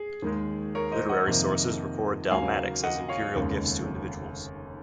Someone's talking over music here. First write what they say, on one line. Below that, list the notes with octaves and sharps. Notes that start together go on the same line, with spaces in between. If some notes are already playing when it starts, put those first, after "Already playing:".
Literary sources record dalmatics as imperial gifts to individuals.
Already playing: G#4
D#2 D#3 G#3
A#4 C#5
C5 D#5
D#5 F#5
F2 C3 D#3 A#3
D#2 C#3 F#3 A#3 F5 G#5
D#5 F#5
C#5 F5
F1 D#2 C#3 G#3